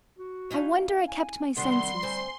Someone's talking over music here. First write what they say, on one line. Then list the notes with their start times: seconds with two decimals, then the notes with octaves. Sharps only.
I wonder I kept my senses.
0.18 F#4
0.51 C#4 D#4 E4 F5
1.08 G#5
1.57 C3 D#3 G3 D4 F#5 C6
2.03 D2 C4 G#5